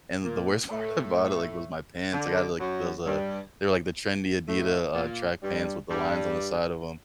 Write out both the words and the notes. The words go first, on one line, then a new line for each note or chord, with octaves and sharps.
and the worst part about it, like, was my pants. I got, like those uh, they're, like, the trendy Adidas, uh, track pants with the lines on the side of 'em,
A#2 A#3
A2 A3
D3
F#2 F#3
G2 G3
A2 A3
A#2 A#3
G2 G3
G2 G3